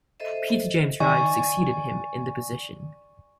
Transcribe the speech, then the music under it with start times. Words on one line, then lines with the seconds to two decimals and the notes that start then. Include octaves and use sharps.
Peter James Ryan succeeded him in the position.
0.20 A4 C5 D#5 E5
1.00 D#3 D5 G#5 C#6